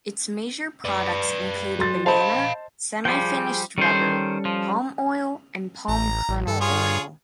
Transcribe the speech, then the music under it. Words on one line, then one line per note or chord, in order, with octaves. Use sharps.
Its major products include banana, semi-finished rubber, palm oil and palm kernel oil.
B4 D5
F#3 C6 A6
C5 D#5 F5 A5 B5
F3 G3 G#4 G5
D#3 G3 C#4 A4 C5
F3
A1 A#5
A1
G2 A4
F4 G#4 C#5